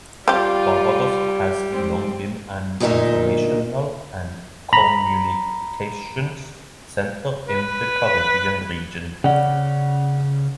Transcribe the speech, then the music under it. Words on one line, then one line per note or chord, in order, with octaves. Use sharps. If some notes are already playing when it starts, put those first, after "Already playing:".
Barbados has long been an informational and communications centre in the Caribbean region.
G3 C4 F4 G4
G#2 C4
D2 A#2 D#4 G4 A#4 E5
A#5 B5
B4
C#3 C#4 D5 F#5